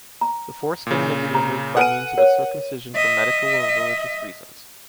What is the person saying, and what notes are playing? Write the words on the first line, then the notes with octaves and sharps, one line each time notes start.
The foreskin may be removed by means of a circumcision for medical or religious reasons.
A#5
A#2 C#3
A#5
A4 B4 F#5 G#5 D#7
A#4 C#5
D#5 E5